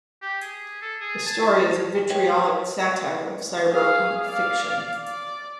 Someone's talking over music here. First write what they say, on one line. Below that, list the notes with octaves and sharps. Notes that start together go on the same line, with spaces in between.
The story is a vitriolic satire of cyberpunk fiction.
G4
G#4
A4
G#4
A5
F#4 B4 C#5 D#5 G5
G#4 F5
D5 F5
D5